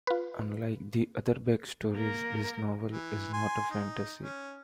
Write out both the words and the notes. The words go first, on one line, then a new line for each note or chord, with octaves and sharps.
Unlike the other Bek stories, this novel is not a fantasy.
F4 B4
A#3 A#4
E3
G#5 C6
D#4
C#4